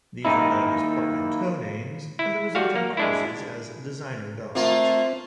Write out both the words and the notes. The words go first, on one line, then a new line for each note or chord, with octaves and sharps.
These are known as portmanteau names and the resulting crosses as designer dogs.
D#3 A#3 D#4 E4
E4
G3 F#4 F5
A#3
G#3 D4 E4
A3 A#3 C4 F4 E5